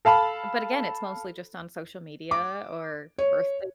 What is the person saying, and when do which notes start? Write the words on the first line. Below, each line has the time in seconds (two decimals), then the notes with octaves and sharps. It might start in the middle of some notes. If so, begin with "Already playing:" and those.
But again, it's mostly just on social media or birthday
0.05 A4 F5 A5 B5
2.31 D6
3.18 C#5